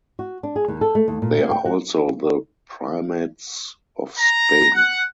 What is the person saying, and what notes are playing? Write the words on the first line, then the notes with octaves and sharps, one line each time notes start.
They are also the Primates of Spain.
F#4
D4
G#4
D#2
A4
A3
D#2
A#2
A#3
G5
F#4
A#5
F#5